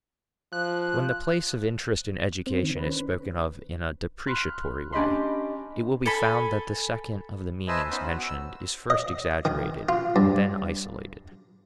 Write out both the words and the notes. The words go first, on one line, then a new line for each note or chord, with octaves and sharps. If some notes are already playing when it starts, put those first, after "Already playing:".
When the place of interest in education is spoken of in a depreciatory way, it will be found that the second of the meanings mentioned is first exaggerated and then isolated.
F3 F#6
C4
D#3
B4
C#4
B5 C6 F6 F#6
C#4 D4 G4 D#5 B5 C6
A4 G#5 B5
B4 C5 D#5 E5 G#5 A5
B3 C#4 D#4 C5 B5
B3 F#4
E6
D#5
D#3
F4
G2